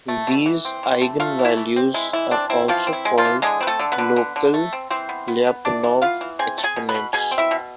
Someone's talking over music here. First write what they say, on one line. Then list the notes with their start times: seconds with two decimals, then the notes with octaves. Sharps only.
These eigenvalues are also called local Lyapunov exponents.
0.08 A3
0.27 B2
0.46 E3
0.65 C4
0.83 E3
1.02 A3
1.20 A3 F4 F5
1.39 E3
1.45 E4 E5
1.57 E3
1.76 C4
1.94 G#3 E4
2.13 E3 E4
2.31 C4 D4
2.50 C4 E4
2.68 E3 F3 F4
2.87 C4
2.93 E4
3.05 G#3
3.18 F3 F4
3.25 E3
3.42 D3 G#3 G#4
3.61 C4 B4
3.67 A3 A4
3.80 D3
3.92 B3 B4
3.98 D3
4.16 D3
4.36 D3
4.54 A3
4.73 C4
4.91 E3 C4 C5
5.09 B3
5.28 B3
5.47 B3
5.65 E3 D4 D5
5.84 E3
6.02 B3 F4 F5
6.21 E3
6.39 C4 G#4 G#5
6.58 A3
6.64 G#4 G#5
6.76 B2
6.89 B4 B5
6.94 B2
7.13 B2 G#4 G#5
7.31 C4
7.38 E4 E5
7.51 B2